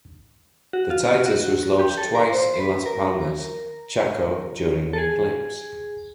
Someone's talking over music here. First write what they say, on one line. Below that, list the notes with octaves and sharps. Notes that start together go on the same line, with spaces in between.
The Titus was launched twice in Las Palmas, Chaco during the eclipse.
F#4
F4
F4
F#4
G4
A4
A#4
C5
C5
B4
A#4
A4
G#4